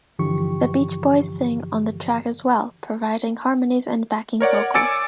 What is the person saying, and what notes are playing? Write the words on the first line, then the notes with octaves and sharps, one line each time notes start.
The Beach Boys sing on the track as well, providing harmonies and backing vocals.
G2 D3 E3 F3 G4 C#6
A#4 C#5 D5 F#5
G#5 D6 E6 A6 C#7 D7